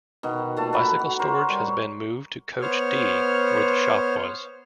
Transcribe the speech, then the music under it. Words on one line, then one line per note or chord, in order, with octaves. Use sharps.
Bicycle storage has been moved to coach D where the shop was.
B2 D#3 F#5
A#2 A3 A5
F#5 A#5 B5
F#4
A#4 C5 C#5 A#5
G3 C#5
B3 C5 C#5 F6